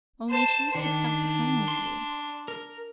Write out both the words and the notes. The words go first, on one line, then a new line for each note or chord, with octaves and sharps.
Only she used to stop at home with you.'
C5 A5
D#3 D4
C6
A#4